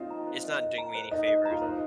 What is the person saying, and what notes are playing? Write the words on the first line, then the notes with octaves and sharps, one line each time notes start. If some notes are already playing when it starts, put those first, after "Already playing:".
it's not doing me any favors
Already playing: C4 D#4 F4
A#5
C5
D#5
C5
A#5
C5
D#4 D#5
C5
F4 A#5
D#4 C5